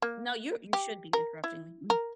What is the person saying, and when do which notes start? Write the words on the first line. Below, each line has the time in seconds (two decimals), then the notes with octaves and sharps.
No, you're you should be interrupting me, mm.
0.02 A#3
0.73 G4
1.13 A#4
1.44 E4
1.90 A#4